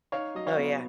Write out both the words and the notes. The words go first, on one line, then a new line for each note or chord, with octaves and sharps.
Oh, yeah.
D#4 C#5 F5
F#3 D#5
C#5 F5
B3